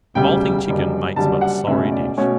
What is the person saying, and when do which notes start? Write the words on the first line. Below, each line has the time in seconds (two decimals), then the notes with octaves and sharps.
A moulting chicken makes but a sorry dish.
0.15 E1 D2 C#3 G3 G5
0.65 F#1 F#2 D3 G3
1.16 F#1 F#2 D3 G3 A5
1.41 F#5
1.67 C#2 B2 A3 C#4 E5
1.92 D5
2.17 B2 A3 C#4 C#5